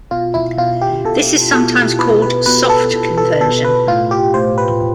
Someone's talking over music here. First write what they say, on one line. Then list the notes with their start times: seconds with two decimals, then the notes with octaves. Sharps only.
This is sometimes called "soft conversion".
0.11 B2 F4
0.34 E4
0.57 B2 F4
0.81 G4
1.05 B2 A4
1.52 B2 A4
1.99 B2 B4
2.22 B4
2.46 B2 B4
2.69 A4
2.94 B2
3.18 A4
3.41 B2 A4
3.65 B4
3.87 A2 F4
4.11 G4
4.34 A2 C5
4.58 B4